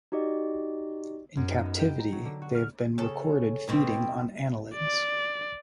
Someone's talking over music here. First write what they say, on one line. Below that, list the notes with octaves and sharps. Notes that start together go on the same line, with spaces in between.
In captivity they have been recorded feeding on annelids.
D#4 F#4 G4 D5 D#5
F#2
D#4
B3
G5
A#5
F#3
D3
F#4
F6
C#3 A4
D#2 B2 C4
D5